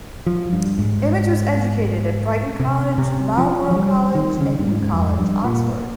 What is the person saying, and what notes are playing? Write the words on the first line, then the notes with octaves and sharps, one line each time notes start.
Image was educated at Brighton College, Marlborough College and New College, Oxford.
F3
G2
G#2
C3
C3
F3
F3
G3
D#3
C#3
G2
G#2
F2
G2
A#2